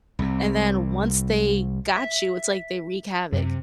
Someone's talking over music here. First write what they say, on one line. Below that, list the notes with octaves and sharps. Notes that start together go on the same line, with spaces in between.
and then once they got you, it's like they wreak havoc.
C2 C3
E5
F#2 C3 C4